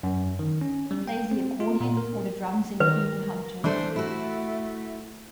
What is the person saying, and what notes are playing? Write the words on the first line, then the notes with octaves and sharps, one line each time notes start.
He plays the accordion or the drums in the Heman Hunters.
F#2
D#3
C#4
G3
G5
C4
F4
A#2
A#4
D#3 A#4 B4
E3 A3 D4 C5
A3 E4 F#4